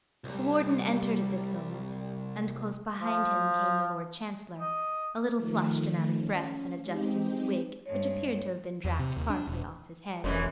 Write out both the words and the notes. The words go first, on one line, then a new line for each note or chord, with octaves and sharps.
The Warden entered at this moment: and close behind him came the Lord Chancellor, a little flushed and out of breath, and adjusting his wig, which appeared to have been dragged partly off his head.
C2 G3
F3
D#5
D#3 F3 A3
C#4
G#3 C4 D#4 G4
G2 G#3 C#5
E2
C3
D#2
D4
E1
F1 F#2 C#3 E3